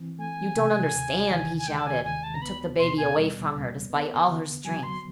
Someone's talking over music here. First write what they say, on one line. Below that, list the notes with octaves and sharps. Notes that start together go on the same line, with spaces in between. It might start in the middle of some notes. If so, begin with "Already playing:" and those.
"You don't understand!" he shouted, and took the baby away from her, despite all her strength.
Already playing: E3 C4
A3 G#5
C3
D#2
D#3
G#5
G#3 G5
A5
G#5
D#2 G#5
A5
A#5
B3 B5
B2 C6
G#5
G3
E2
B3
D3
F#3 G#5
C6